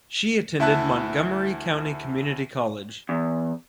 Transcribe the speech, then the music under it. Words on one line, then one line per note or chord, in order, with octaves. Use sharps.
She attended Montgomery County Community College.
D2 E4 E5 A5 F#6
E2